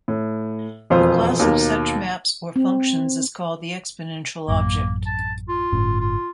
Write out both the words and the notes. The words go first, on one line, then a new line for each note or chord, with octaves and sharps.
The class of such maps or functions is called the exponential object.
A2
E1 F2 F4 C5
D#2 B2 A#3
C4
A1 F#2 A#3
A5
F4
G1 A2 C#4
F4